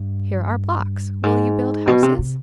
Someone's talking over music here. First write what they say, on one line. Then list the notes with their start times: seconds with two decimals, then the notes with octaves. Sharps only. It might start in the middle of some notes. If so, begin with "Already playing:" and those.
"Here are blocks; will you build houses?"
Already playing: G2
1.23 G#2
1.87 B2
2.03 C3
2.19 C3